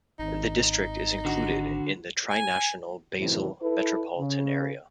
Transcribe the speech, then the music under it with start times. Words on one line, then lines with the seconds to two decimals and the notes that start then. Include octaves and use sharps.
The district is included in the trinational Basel metropolitan area.
0.19 G#1 D#4
1.25 D3 F#4
2.29 G#5
3.19 F#2 A2 C3 D#3 E3
3.61 E4 A4 B4
4.18 C#3